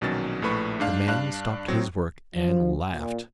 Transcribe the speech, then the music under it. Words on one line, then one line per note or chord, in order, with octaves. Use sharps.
The man stopped his work and laughed.
A#1 B2 D#3 F#3 C#4 A6
A#1 A2 A3 B4 B5 C#6
G#2 D4 F5
G2 D4 F5 F#6
A2 F#3 C4
F3
A#2